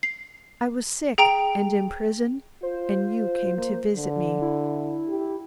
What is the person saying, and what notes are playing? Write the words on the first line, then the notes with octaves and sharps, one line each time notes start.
I was sick, and in prison, and you came to visit me!'
C7
G#4 G5 A#5 D7 F7
F4 C5
A#3
D3
E4
G4